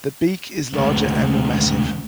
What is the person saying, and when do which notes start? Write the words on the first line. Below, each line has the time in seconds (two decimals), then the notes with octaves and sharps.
The beak is larger and more massive.
0.73 D2 G#3